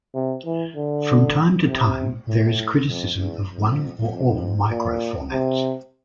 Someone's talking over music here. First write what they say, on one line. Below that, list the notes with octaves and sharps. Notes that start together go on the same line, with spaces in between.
From time to time, there is criticism of one, or all, microformats.
C3
E3
D3
C3
A2
F2
E2
F2
F2
A#2
C3